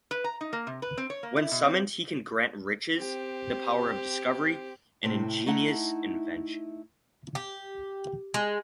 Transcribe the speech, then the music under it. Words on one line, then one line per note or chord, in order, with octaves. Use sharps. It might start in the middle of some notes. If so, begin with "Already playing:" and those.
When summoned, he can grant riches, the power of discovery and ingenious invention.
B4
A#5
D#4
A#3
C3
B4
C4
C#5
A#3
E4
B2
C4
C4 G4
A2 C3 C4
A3 D#4 E4 F#5 A5
G4
G#3